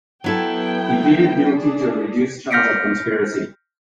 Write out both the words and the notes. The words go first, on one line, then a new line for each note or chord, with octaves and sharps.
He pleaded guilty to a reduced charge of conspiracy.
F#3 B3 E4 A4 G5
D4 G#4
F6 G6 A#6 B6 C#7 D7